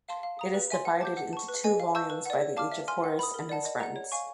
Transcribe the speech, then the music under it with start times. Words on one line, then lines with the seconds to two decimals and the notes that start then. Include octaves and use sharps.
It is divided into two volumes by the age of Horace and his friends.
0.09 F5 A5 C6
0.23 F5
0.39 A#5 D#6
0.54 B4
0.70 E5 G#5 C6
0.85 F#5
1.01 A5 D6 G6
1.17 F#5
1.33 A5 C#6
1.48 B4
1.64 D#5 G#5
1.80 F5
1.95 A5 C#6 E6 G6
2.10 B4
2.26 D5 F#5
2.41 C#5
2.57 F5 A5 D6 F6
2.72 E5
2.88 G#5 C6 F6
3.04 F#5
3.19 B5 D#6
3.34 A#4
3.49 D5 F#5 A5
3.65 D#5
3.80 F#5 A#5
3.96 C#5
4.12 F5 G#5 C#6